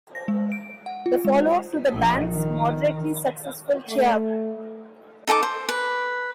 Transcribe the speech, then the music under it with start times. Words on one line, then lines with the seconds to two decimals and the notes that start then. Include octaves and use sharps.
The follow-up to the band's moderately successful Cheer Up!
0.15 A#6
0.28 G#3
0.52 D7
0.86 F#5
1.06 F4
1.25 G#3
1.38 C5
1.93 A#1
2.30 D#3
3.88 A3
5.27 D#4 A4 G5 D6
5.43 C5
5.69 B4